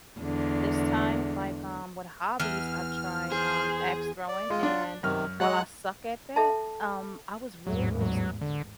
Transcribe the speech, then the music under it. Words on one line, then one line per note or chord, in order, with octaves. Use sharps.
this time, like, um, with hobbies I've tried, um, ax throwing and while I suck at that, um, I was really, really s
E2 D3 G#3
E2 F6
G#4 C5
D5
G#3 F4
D4
F#2 C3 D#3 F6
F#3 G#3 D#5 F#5 F#6
A4 E5 A5
A1 E2 G#2 F#3
F#3
D3